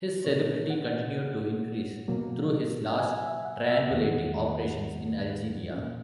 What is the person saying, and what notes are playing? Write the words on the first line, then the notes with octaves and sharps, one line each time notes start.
His celebrity continued to increase through his last triangulating operations in Algeria.
A#2 A#3 C#4 C#5
F#5
B2 F#3 A#3
G#5
E5
F#5
E5
E2 D#3 G#3 B3 F#5
A#2 A#3 C#4